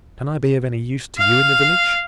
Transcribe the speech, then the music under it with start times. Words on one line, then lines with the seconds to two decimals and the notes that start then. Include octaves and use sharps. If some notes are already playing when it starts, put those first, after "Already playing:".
Can I be of any use to you in the village?
1.18 F5